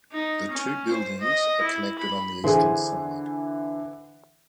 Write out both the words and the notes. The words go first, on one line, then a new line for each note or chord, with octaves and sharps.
The two buildings are connected on the eastern side.
D#4
C#4
C5
D#5
E4
B5
D3 E3 G#4 C5